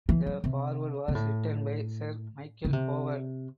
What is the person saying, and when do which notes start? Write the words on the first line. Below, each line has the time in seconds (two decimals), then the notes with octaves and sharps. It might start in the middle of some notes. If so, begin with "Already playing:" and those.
The foreword was written by Sir Michael Howard.
0.09 E3
0.27 F#3
0.44 C3
1.08 C3
1.15 A2
2.65 C#3
2.73 C3